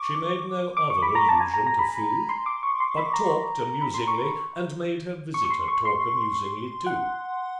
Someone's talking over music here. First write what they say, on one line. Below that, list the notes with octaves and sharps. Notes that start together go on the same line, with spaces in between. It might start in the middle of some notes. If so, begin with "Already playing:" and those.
She made no other allusion to food, but talked amusingly and made her visitor talk amusingly too.
Already playing: C#6 D6
D6
C#6
B5
A#5
A5
G#5
A#5
A#5
B5
C6
D6
C#6
C6
B5
A#5
B5
C6
C#6
C#6
C#6
C6
C#6
C6
F#5